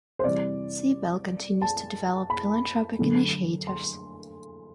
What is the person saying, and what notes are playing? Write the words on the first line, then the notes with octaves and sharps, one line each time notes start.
Siebel continues to develop philanthropic initiatives.
C5
C3 E3 G3 D5
A5
B5
D3 F#3 A3
C6